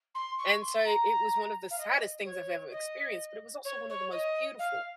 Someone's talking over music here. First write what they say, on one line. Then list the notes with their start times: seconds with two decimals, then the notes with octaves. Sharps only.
And so it was one of the saddest things I've ever experienced, but it was also one of the most beautiful,
0.14 C6
0.38 C#6
0.61 C6
0.85 A#5
1.70 F5
1.78 D#5
2.25 C#5
2.71 D#5
3.64 C#5
3.89 C#5
4.11 D#5
4.59 F5